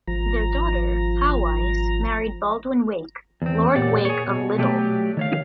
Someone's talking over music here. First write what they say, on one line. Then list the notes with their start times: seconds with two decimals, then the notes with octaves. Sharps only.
Their daughter, Hawise, married Baldwin Wake, Lord Wake of Liddell.
0.07 G#1 F3 A#5
3.42 E2 C4
3.76 A#2 G4 C#5 D5 F#5
4.05 G#4 C#5
4.27 B2
4.58 F#3 A3 G4 D5
5.17 D#3 C#5 F5